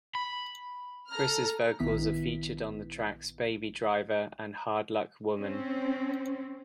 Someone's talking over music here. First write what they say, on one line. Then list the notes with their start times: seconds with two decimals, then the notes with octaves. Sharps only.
Criss' vocals are featured on the tracks "Baby Driver" and "Hard Luck Woman".
0.15 B5
1.09 A4 A#5 F6
1.80 A#1 D#3 B3 E4 B6
5.38 C4 C#4